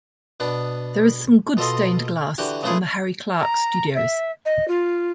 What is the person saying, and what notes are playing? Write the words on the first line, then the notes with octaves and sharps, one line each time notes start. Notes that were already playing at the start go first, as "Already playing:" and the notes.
There is some good stained glass from the Harry Clarke studios.
B2 B3 D4
B2 F4 A4 D#5 C6
D3 E3 F#4 G4
C#3 E3 A3 E4 F4 G#4
A#5
E5
D#5
F4